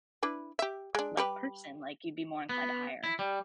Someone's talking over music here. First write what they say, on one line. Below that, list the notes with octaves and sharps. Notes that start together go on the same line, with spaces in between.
like, person, like, you'd be more inclined to hire.
D4 E4 B4
G4 E5
G#3 D4
G3 G4 B4
B3
E4
G3